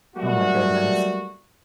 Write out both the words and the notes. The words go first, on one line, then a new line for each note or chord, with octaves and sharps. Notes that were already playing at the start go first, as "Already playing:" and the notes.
Oh my goodness.
F#3 G3 A3 A#3 D4 F#4